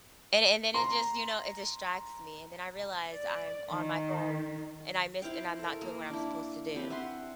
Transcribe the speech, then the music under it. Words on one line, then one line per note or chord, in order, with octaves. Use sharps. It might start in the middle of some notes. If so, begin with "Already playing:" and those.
And and then it just, you know, it distracts me, and then I realized I'm on my phone, and I miss and I'm not doing what I'm supposed to do,
A#5 C6
D5
D#3
E4 C5 F5 G5
A4 A#4
A#3
D4 E4
C4 G4 B4
E5 F#5 C6